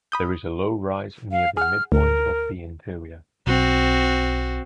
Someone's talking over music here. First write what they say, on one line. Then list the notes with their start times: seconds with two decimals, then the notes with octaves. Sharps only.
There is a low rise near the midpoint of the interior.
0.12 B5 D#6 G6
1.32 F5
1.57 G#4 F#5 F6
1.92 D2 A#4
3.47 B1 C4 F#4